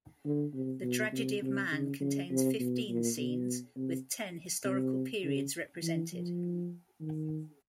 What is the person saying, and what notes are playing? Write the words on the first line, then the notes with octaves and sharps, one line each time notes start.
The Tragedy of Man contains fifteen scenes, with ten historical periods represented.
D3
C3
B2
C3
C3
C#3
C#3
C3
B2
A#2
B2
C3
C3
C#3
E3
F3
D#3